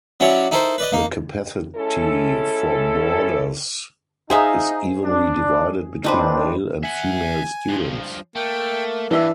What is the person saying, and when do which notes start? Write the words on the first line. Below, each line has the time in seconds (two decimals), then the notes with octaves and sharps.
The capacity for boarders is evenly divided between male and female students.
0.20 F#3 C#4 E4 C#5 D5
0.51 D#4 E4 A4 A#4 C5
0.78 B4 D5 D#5
0.92 A#3 D#4
1.76 G#3 C#4 E4 A4
4.30 D#4 G#4 C5 E5 F5
5.03 D4
6.04 A1 C4 D4 D#4 B4 C5
6.83 E5 F#5 G#5
7.69 G2 F3
8.36 A3 A#3 G5
9.11 G2 E3 D4 E5